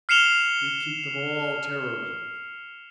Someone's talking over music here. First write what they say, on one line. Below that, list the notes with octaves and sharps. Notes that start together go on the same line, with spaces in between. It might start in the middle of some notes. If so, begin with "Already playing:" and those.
We keep them all terrorized.
F6 C7 C#7 E7 F7 G7